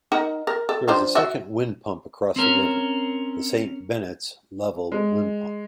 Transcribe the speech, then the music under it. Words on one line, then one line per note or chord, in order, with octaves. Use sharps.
There is a second windpump across the river, the Saint Benet's Level windpump.
D#4 A#4 F#5
A#4
A4
F3 D4 C5
F#4 E5
C4 C#4 A#4
G#3